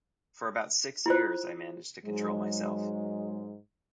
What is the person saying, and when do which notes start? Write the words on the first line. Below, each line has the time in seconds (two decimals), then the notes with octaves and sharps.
For about six years I managed to control myself.
1.06 E4 F4 C5
2.04 G#2 F#3 G#3